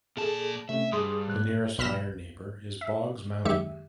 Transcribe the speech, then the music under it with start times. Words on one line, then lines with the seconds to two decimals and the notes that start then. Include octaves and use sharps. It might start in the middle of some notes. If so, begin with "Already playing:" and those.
The nearest higher neighbor is Boggs Mountain.
0.17 A#2 G#4 A4 A5
0.69 C3 A3 C#4 E5
0.92 G2 G#4 C6 D#6
1.28 G#2 F#6
1.78 B1 B5 E6 F6 A#6 E7
2.81 E5
3.45 F#2 D#3 G#3 G4 E5 C#7